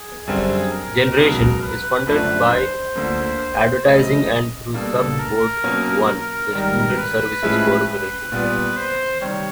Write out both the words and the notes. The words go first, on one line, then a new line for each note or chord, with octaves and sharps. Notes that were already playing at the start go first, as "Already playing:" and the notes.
"Generation" is funded by advertising and through Sub-Board I, the student services corporation.
Already playing: G#4
F#2 D3 G3 C4
A#4
C#2 B2 F#3
B4
F#2 D3 F3 A3 D4 B4
C5
D2 D3 F3 A#3
C#2 C#3 F#3 A3 C4 D#5
B2 G3 A#3 D4 A4
A#4
B2 F#3 A#3 C#4
G#2 D#3 G3 A#4
B4
A2 F3 G#3 C#4 E4
B4
A#2 G3 B3
C5
C3 D#3 G3 C#5